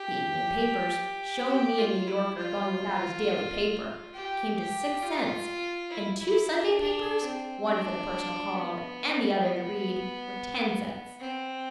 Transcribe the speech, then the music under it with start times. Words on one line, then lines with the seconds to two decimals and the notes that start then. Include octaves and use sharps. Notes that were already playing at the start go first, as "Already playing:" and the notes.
The evening papers--show me a New Yorker going without his daily paper!--came to six cents; and two Sunday papers--one for the personal column and the other to read--were ten cents.
Already playing: G4
1.48 G4
1.78 F4
2.07 E4
2.37 F4
4.13 G4
4.58 G4
5.02 F4
5.90 E4
6.19 E4
6.49 D4
6.79 D4
7.22 C4
7.67 D4
8.55 B3
9.43 B3
11.20 C4